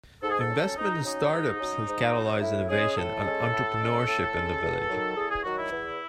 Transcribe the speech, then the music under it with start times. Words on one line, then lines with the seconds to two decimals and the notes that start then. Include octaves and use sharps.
Investment in startups has catalyzed innovation and entrepreneurship in the village.
0.22 G#2 A4
0.31 G#4
0.39 A4
0.49 F#3 C#4
0.77 G#2 D#4
1.04 F#3 C#4 D#4
1.32 G#2
1.59 F#3 C#4
1.87 G#2
2.14 F#3 C#4
2.42 A2 E4
2.69 G#3 C#4 G#4
2.96 A2 A4
3.24 G#3 C#4
3.52 A2
3.79 G#3 C#4
4.06 A2
4.34 G#3 C#4
4.61 E2
4.89 D#3 F#3
5.16 E2 G#4
5.30 G#4
5.43 D#3 F#3 F#4
5.57 E4
5.71 E2